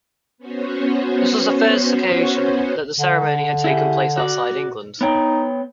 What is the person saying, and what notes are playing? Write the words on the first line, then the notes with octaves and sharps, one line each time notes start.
This was the first occasion that the ceremony had taken place outside England.
B3 C#4 F#4 C5 C#5
D3
E4 G4 G#4
F#4 D5
B3 D#4 C#5 G5